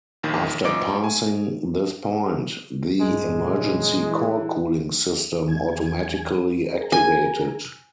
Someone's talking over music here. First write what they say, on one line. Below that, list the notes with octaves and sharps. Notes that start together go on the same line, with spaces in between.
After passing this point, the emergency core cooling system automatically activated.
A#1 D#2 D#3
F#2 A#2 D#5 D6 D7
G#5
A#1 G2 G#3
F2 A#2 C#3
E3
E2 G#5
G#4 A#4
G#5